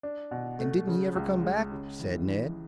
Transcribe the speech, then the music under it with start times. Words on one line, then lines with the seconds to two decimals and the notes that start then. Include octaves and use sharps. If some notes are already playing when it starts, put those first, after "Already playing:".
"And didn't he ever come back?" said Ned.
0.03 D4
0.31 B2
0.59 A3
0.88 C#3
1.16 C#2
1.44 G#3
1.72 C#3
1.99 E3
2.27 E3